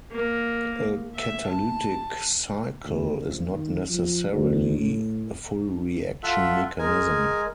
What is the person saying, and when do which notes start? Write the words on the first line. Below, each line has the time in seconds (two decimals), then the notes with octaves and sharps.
A catalytic cycle is not necessarily a full reaction mechanism.
0.11 A#3
1.15 E5
1.48 A5
2.83 D2
3.19 A#1
3.51 D#3
3.90 F3
4.32 D2
4.76 A2
6.23 F4 A4 E5 F#5
6.79 G#3 A#4 G#5